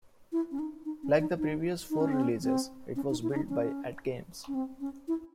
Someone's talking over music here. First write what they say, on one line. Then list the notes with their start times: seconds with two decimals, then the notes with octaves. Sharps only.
Like the previous four releases, it was built by AtGames.
0.32 E4
0.52 C#4
0.59 D#4
0.85 D#4
1.03 C#4
1.20 D#4
1.39 D#4
1.90 D#4
2.00 C#4
2.12 C4
2.22 C#4
2.43 C4
2.96 C#4
3.10 D#4
3.23 E4
3.31 C#4
3.36 D#4
3.49 C#4
4.48 C#4
4.54 C4
4.80 C#4
5.08 E4